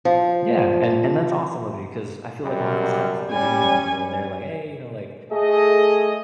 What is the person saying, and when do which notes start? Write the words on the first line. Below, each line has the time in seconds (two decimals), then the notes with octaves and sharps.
Yeah, and and that's awesome of you, 'cause I feel like, uh, not a lotta people do anymore, where they're like, "Hey," you know, like,
0.05 F3
2.43 F#2 G3
3.31 G3 C#4 G#5
5.31 A3 G#4 D#5